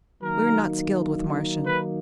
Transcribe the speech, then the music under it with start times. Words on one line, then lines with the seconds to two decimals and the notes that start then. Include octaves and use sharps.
"We are not skilled with Martian."
0.21 D#3 F#3 A#3 D#4 A#4
1.66 B4